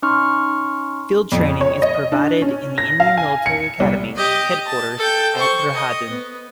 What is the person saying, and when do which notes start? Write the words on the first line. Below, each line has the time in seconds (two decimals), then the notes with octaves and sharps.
Field training is provided in the Indian Military Academy Headquarters at Dehradun.
0.02 C#4 D#4 C6 C#6 F6
1.32 F2
1.61 C#5
1.82 D#5
2.12 D4
2.42 C#4
2.78 A#6
3.00 F5
3.18 G#5
3.46 C#7
3.80 C2
4.16 G4 D#5
4.66 A5
4.98 A4 G5
5.35 C5 C#6
5.74 D#5
6.10 B3